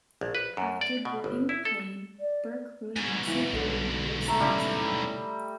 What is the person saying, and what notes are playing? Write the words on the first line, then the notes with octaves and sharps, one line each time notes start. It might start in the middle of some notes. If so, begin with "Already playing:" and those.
After boarding the plane, Burke wrote a message on an airsickness bag.
A#1
B4
F#2
D5
B2
G1
E4
A4
D5
G#2 B2 G#5
E3 F3
B1 D3
A3 A#5
C#3 G3 E4